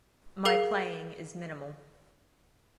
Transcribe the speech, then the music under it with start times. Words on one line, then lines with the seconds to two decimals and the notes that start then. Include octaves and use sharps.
My playing is minimal.
0.45 G#4 A#4 F5 F7